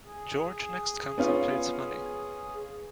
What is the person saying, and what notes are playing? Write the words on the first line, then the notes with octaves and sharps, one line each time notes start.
George next contemplates money.
G#4
B3 C#4 F4